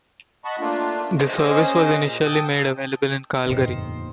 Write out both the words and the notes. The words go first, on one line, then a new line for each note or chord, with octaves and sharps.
The service was initially made available in Calgary.
D#5 F#5 A5 B5 C#6
A3 A#3 D4 F4
C5 D#5
A#3 C#4 G#4 C5 D#5
A#2
G5 A5 D#6 E6 G6
G1 F2 A#2 D#3 A#3 C5